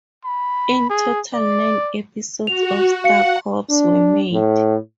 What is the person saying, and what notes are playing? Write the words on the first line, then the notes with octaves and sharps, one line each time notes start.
In total nine episodes of "Star Cops" were made.
B5
G#4
D5
F#4 F7
F5 F#5 C#7
D4
A2